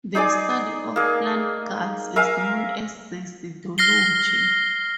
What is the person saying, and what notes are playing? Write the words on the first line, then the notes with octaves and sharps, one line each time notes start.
The study of plant galls is known as cecidology.
D#4 G#4 D5 G#5
A#3 G#4
A#4 E5 F5 G#5
F6 A#6 C7 G7